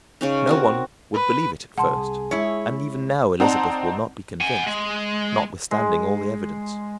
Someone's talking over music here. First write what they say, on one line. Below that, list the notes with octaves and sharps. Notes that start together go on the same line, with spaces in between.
No one would believe it at first; and even now Elizabeth will not be convinced, notwithstanding all the evidence.
C#3 C#4 D#4
C4 F#4 A#4
B4
C2 G#4 F#5 A5 C6
G#3 E4 F4 C#5
C4 D#4 D5 F#5 A5 A#5
F#5 G#5
G#3
G#3